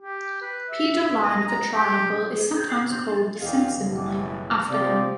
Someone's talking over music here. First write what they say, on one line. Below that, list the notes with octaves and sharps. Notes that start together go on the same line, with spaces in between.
The pedal line of a triangle is sometimes called the "Simson line" after him.
G4
B4
E5
D#5
A#5
G4
E2 A#2 C#4 G4 D#5 F5
F#1 B2 E3
C3 F3 C4 D5